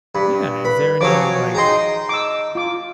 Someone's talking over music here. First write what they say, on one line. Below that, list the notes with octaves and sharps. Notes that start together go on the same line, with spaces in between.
Yeah, is there any, like,
G2 B5
B4 B5
F3 F#3 G4 G#4 C#5 D6
D#4 G#4 D#5 G5 A#5 C6
D6 E6
F4 D6